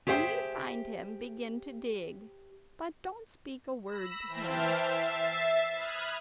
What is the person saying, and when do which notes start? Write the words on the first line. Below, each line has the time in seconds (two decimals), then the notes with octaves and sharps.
When you find him begin to dig, but don't speak a word to him.
0.07 G4 G#4 C5 E5 F#5 G5
3.85 B5 E6 A#6
4.27 E3 C5 E5 G5 A5 F6
4.80 E5 A6 C7
5.75 B5 D#6 F6 F#6 G#6